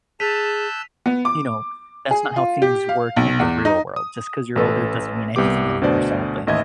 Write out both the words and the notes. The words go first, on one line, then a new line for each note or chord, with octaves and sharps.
you know, that's not how things work in the real world. Just 'cause you're older doesn't mean anything anymore, sadly.
G#4 A5 E6 F#6 G6 B6 D#7 F7
B3
D6
G#4
F4
G4
F5
B1
E2
D#4
D#6
A1 A4 B4
C2 B3 G4 D6
D2 B2 D4 C5 D5
A1 D#2 D#5 E5 G#6